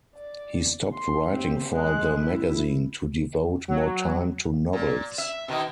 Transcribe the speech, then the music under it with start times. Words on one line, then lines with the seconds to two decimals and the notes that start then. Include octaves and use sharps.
He stopped writing for the magazine to devote more time to novels.
0.15 D5
0.93 C6
1.29 C4 G4
1.72 G#3 F#6
2.22 E4
3.68 F#3
4.73 A#2
5.18 E5
5.48 B2 D#3 D#4